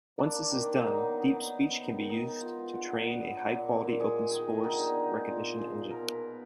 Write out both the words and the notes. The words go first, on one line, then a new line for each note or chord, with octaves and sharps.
Once this is done, DeepSpeech can be used to train a high-quality open source recognition engine.
A#3 D4
A#3
D#3
A#3
F#3 D#4
B3
D3
F#3
B3
B3
D#3
D#3
B3 D#4
G#3
B3 F4
G#3
D3 F#4
B3
B3
D3
F#3
A#2
A#2
A#2
G#3 G#4
G#3
D#3 G#4
D#3
D3 D#4
B3
D3
G#3
A#2 F4
A#2
F3 G#4
A#2
B2 A#4
B2
B4
B3